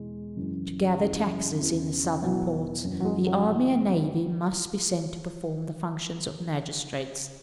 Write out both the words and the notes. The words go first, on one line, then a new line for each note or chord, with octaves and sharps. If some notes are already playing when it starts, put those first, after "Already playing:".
To gather taxes in the Southern ports, the army and navy must be sent to perform the functions of magistrates.
Already playing: E2 B2 G#3
F#2 C#3 E3
F#2 C#3 E3
E2 C#3 E3
E2 B2 F#3
F#2 E3
F#3
G#3
F#3
F#2 C#3 E3